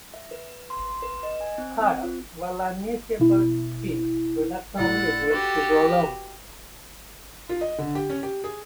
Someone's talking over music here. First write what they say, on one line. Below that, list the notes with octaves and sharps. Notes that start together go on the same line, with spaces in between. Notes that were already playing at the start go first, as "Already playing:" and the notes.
Kyle, while uneasy about the scheme, reluctantly agrees to go along.
E5
B4
B4
C6
C6
B4
D#5
G#5
C4
C4
F4
B2 E4
A2 A4 D5 F#5
F#4 G4 B4
F4
D#5
D3
G4
C#4
G4
G#4